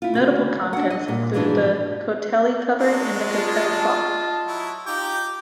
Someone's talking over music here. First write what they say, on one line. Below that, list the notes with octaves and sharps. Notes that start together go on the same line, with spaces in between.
Notable contents include the Cotehele cupboard and the Cotehele clock.
E4 F4
D2 C#3 F#4
D4 F#5
D#5
A#2
G#2 B2 E3 F3 D4
F#3 G#3 D4
F4 D#5 A5
F#3 E4
D#4 F4 G4 G5 D6